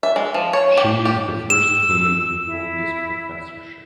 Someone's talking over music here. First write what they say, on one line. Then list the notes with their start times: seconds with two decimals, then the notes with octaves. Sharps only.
She is the first woman to hold this professorship.
0.03 E5
0.16 G#3
0.34 F3
0.53 C#5
0.77 G4
1.05 G4
1.50 E6 E7
2.46 E4